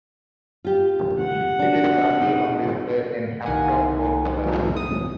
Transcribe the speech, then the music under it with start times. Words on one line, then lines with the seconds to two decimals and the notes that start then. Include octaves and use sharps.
It is currently on display in Hampton Court Palace.
0.64 F4 G4
1.19 F#5
1.59 D4 F#4
2.22 D#4
3.46 C2 D#3 A#3 F#5 G#5
4.77 D#6